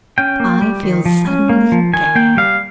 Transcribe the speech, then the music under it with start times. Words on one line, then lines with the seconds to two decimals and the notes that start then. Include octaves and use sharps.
I feel suddenly gay.
0.18 C#4 G5
0.40 A#3
0.62 G3
0.83 D#3
1.05 F3
1.27 C#4
1.49 A#3
1.72 F3
1.93 D#3 G#5
2.15 A#3 G5
2.37 G3 F5